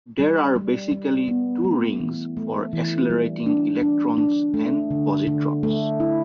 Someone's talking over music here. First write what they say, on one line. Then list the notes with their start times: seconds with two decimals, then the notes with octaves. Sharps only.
There are basically two rings for accelerating electrons and positrons.
0.20 G3
0.56 G3
0.91 G3
1.28 B3
1.64 A3
2.00 E3
2.37 A3
2.73 E3
3.10 G3
3.46 D4
3.82 D4
4.18 D4
4.54 A3
4.91 D3
5.27 D3
5.63 A3
6.00 E4